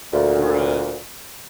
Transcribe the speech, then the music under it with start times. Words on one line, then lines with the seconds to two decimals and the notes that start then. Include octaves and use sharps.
we're, uh,
0.13 D2 A#2